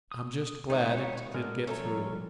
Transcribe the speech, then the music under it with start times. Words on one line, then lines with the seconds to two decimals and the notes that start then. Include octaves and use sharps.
"I'm just glad it did get through."
0.12 D#6
0.70 C3 D#3 G#3 B3 D#4 C#5
1.35 A2 G#3 D4 A#4
1.67 F3 G3 A3 C#4 A4 C#5 A#5